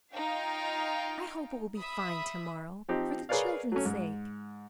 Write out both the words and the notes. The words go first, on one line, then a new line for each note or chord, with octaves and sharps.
I hope it will be fine tomorrow, for the children's sake.
D#4 F4 F5 G5
E5 B5 D#6
F3 C4 D#4 G4
G#4 A#4 B4 C#5 D5 F5
F#3 A3 C#4
G#2